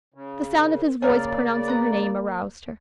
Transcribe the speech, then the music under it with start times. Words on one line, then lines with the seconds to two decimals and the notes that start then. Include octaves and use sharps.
The sound of his voice pronouncing her name aroused her.
0.14 C#3
0.58 A#4
1.02 C#3 A#3 G#4 A#4 C#5 D5 F5
1.68 B4 A#5